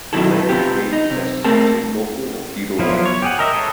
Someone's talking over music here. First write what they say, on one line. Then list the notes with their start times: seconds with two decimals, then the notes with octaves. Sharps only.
The laird may possess certain local or feudal rights.
0.13 B2 D#3 F#3 E4 A4
0.49 C3 B3 F4 G4
0.93 D#4
1.11 C3
1.44 A3 C4 G#4 A#4 A5
2.79 F3 F#3 B3 E4 F4
3.06 C#5
3.22 G4 G#4 F#5
3.39 A#4 D#5 E5
3.53 G#4 A4 B4 C#5